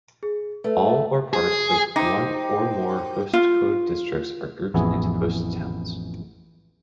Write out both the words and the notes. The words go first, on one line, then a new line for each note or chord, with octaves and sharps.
All, or part, of one or more postcode districts are grouped into post towns.
G#4
A3 B4
A5
G#4
D#4 G4 C5
F4
A1 F2 B3 E4 G#4